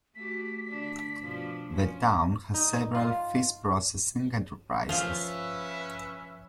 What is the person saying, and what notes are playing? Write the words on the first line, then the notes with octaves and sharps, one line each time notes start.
The town has several fish processing enterprises.
A3 F#4 G4 B6
D3 D4
B2 F3 D4
F3 C#4
D#4
F4
F3 C#4 F4 B4 E5